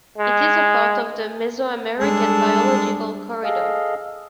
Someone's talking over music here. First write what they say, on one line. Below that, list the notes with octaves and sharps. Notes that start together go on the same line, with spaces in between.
It is a part of the Mesoamerican Biological Corridor.
G#3
G3 G#3 D4 A4
G#4 A4 D#5 F5